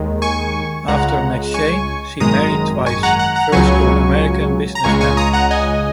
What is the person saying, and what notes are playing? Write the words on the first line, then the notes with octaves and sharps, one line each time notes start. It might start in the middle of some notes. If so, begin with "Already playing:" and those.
After McShane, she married twice, first to an American businessman.
Already playing: D#2 D#3 G#3
G#5 C#6
C#2 C#3 G#3 F#5 A#5
G#5 C#6
G#1 F#2 D#3 G#3 A#5 D#6
G#5 C#6
F#5 A#5
F#5 A#5
F#5 A#5
C#2 C#3 F#3 G#5 C#6
A#5
C#2 C#3 G#3 G#5 C#6
G#5 C#6
A#5 D#6
F#5 A#5
D#5 G#5